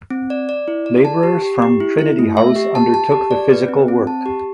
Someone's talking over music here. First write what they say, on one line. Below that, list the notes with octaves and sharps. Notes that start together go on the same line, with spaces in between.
Labourers from Trinity House undertook the physical work.
C4
D5
D5
E4
D5
A5
G4
G4
G4
E4
E4
A3
E5
G4
A5
A5
G4
D5
B4
C4
C4
A5
G4